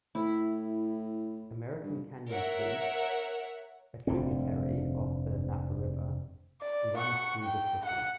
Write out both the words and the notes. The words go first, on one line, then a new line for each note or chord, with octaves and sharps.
American Canyon Creek, a tributary of the Napa River, runs through the city.
A2 E4
G2
A#4 C#5 E5 F#5
F1 G2 D3 C4
D5
F#5 C#6
G5
F#5